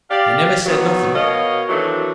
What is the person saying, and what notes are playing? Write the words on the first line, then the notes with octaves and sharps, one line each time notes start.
He never said nothing.
G4 D5 F5
D#3 F#3 B3
B2 A#4 C#5 D#5 F5
D#3 E3 F#3 A3 C4 D4